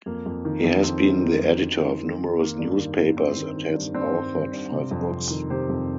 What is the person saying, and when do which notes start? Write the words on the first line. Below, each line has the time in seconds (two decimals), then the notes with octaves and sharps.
He has been the editor of numerous newspapers and has authored five books.
0.06 F2 A#3
0.26 F2
0.45 D#3
0.64 F2
0.83 F2 C4
1.03 D#3
1.23 D#3
1.42 F2
1.61 D#3
1.81 D#3
2.00 D#3
2.19 D#3
2.40 D#3 A#3
2.59 G2
2.78 D#3
2.98 D#3
3.17 G2 C4
3.36 D#3
3.56 D#3
3.75 G2
3.94 G2 C4
4.14 G2
4.33 G2
4.52 G2
4.72 C3
4.91 F2
5.12 F2
5.30 D#3
5.50 C3 G4 C5
5.69 F2